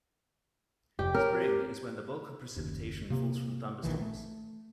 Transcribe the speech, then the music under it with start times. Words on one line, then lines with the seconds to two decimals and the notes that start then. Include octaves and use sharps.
Spring is when the bulk of precipitation falls from thunderstorms.
0.99 F1 G4
1.15 C4 A#4 C#5
1.39 G4
2.56 F#1 D#2
3.10 C3 A#3
3.83 A#1 D#3 E3
4.01 A3